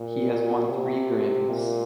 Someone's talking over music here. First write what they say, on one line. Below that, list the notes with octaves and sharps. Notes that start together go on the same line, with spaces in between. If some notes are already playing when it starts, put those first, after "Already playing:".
He has won three Grammys.
Already playing: A#2
C3
A#2